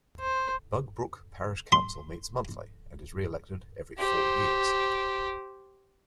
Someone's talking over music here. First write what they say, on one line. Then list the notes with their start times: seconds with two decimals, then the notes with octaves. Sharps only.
Bugbrooke Parish Council meets monthly and is re-elected every four years.
0.20 C5
1.72 C6
3.98 G4 C5